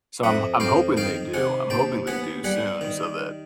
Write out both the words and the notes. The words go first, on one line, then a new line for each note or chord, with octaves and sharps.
so, I'm I'm hoping they do. I'm hoping they do soon so that
F2 E5 F#5
F2 F5 G5
D#3 F5 G5
C3 F#5 G#5
D#2 G5 A5
B3 F#5 G#5
G3 F#5 G#5
D#3